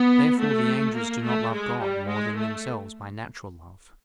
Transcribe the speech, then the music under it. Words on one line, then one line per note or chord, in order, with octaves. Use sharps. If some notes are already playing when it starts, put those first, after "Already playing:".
Therefore the angels do not love God more than themselves by natural love.
Already playing: B3
A3
A#3
A3
G#3
G3
G#3
A3